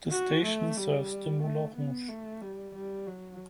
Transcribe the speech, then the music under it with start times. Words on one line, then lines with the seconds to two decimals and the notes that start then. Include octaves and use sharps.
The station serves the Moulin Rouge.
0.11 F#4
0.44 A3
0.77 G3
1.42 A3
1.76 B3
2.08 A3
2.41 G3
2.75 G3
3.07 F#3